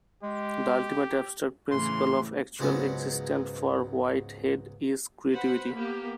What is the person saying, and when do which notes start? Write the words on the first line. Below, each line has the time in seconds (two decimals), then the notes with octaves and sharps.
The ultimate abstract principle of actual existence for Whitehead is creativity.
0.23 G#3 G4
1.71 A2 C#3 E3 C6
2.60 C#2 G#2 F#3 B3 C#4
5.31 B4 C5 F#5 B5
5.75 A#3 B3 G4